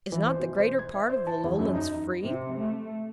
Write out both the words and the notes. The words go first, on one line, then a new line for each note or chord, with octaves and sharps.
Is not the greater part of the Lowlands free?
E3
C5
B2
C5
G#6
E5
C5
A5
E2
F#2
D#4
C3
A3